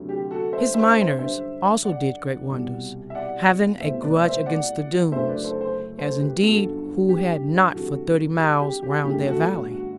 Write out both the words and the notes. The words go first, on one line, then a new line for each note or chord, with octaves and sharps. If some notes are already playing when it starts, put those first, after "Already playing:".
His miners also did great wonders, having a grudge against the Doones; as indeed who had not for thirty miles round their valley?
Already playing: D2 C3 F#3
G4
F#4 A4
C5 E5
C5 E5
C5 E5
F#2 D3 G3 C5 E5
D5 F#5
C2 B2 G3
E5
D5 F#5
C2 B2 A3 C5 E5
B4 D5
C5 E5
D5 F#5
F#1 F#2 D3 F#3 A3 C5 E5
B4 D5
A4 C5
A4 C5
A4 C5
G4 B4
G1 F#2 D3 F#4 A4
G4
D2 C3 E3 G3 F#4 A4
G4
G4
G4
G1 F#2 D3 A3 G4
F#4 A4
F#4
F#4